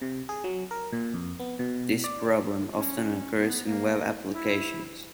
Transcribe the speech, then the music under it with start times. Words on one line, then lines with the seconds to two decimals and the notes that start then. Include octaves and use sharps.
This problem often occurs in web applications.
0.02 C3
0.29 G#4
0.44 F#3
0.71 A#4
0.93 A#2
1.14 F2
1.39 B3
1.59 B2
2.04 D5
2.76 C#4
3.38 B3
3.66 A#3
4.33 E4